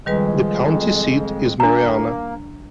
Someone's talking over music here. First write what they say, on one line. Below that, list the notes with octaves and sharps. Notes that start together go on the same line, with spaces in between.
The county seat is Marianna.
F2 D#3 G3 G#3 B4
A#3 D4 A#5